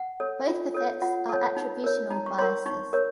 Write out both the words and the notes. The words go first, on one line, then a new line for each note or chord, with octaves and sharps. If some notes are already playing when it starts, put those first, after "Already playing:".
Both effects are attributional biases.
Already playing: F#5
A4 C#5
F4
A4 C#5
F4 F#5
A4 C#5
D#4
A#4 C#5
D#4 A#5
C#6
A#4 C#5 C6
D#4 C#6
A#4 C#5